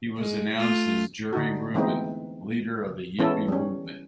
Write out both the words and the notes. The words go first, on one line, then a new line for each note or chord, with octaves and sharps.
He was announced as Jerry Rubin, Leader of the Yippie Movement.
G#3
A3 F4
D3 D#4 F#4
E3 G#3 A3 B3 C4 D#4
E3 G#3 B3 C#4 E4 A4
G3 C#4